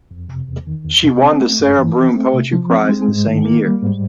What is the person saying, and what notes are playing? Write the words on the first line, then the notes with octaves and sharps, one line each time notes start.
She won the Sarah Broom Poetry Prize in the same year.
F2
C3
E2
D#3
E2
C3
C4
A3
G2
E3
C4
A3
C3
F3
C4
G#3
G#2
D#3
A#3
G3
G#2